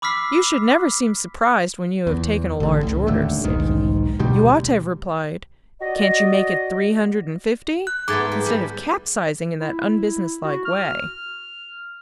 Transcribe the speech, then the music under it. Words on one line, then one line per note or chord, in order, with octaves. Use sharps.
"You should never seem surprised when you have taken a large order," said he; "you ought to have replied 'Can't you make it three hundred and fifty?' instead of capsizing in that unbusinesslike way."
B5 D6 E6 F6 B6 C7
E2
A1 D3
C#2 A2
D#1 D#2 D3 A3
E1 B1 G#2 D#3
D2 B2 G3
F#4 D5 D#5
F#6
G#2 A3 B3 D6 G#6 A6
G4
G3
E4
F#4
F6